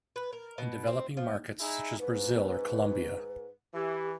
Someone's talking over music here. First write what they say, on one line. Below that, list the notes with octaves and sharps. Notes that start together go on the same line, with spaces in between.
In developing markets such as Brazil or Columbia.
B4
A#4
B2
C4
F3
D#4 E4 G#4
G#2 B4
E3 G4